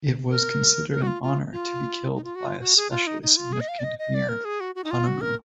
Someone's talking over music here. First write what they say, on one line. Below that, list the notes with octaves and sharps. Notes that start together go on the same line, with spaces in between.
It was considered an honour to be killed by a specially significant mere pounamu.
A#4
A#4
F#4
F4
F4
F4
D#4
F4
F#4
F4
F#4
G#4
F4
D#4
D#4
F4
G#4
D#5
F5
D5
D#5
D#5
D5
A#4
G#4
F#4
F#4
D#4
F4
F#4
A#4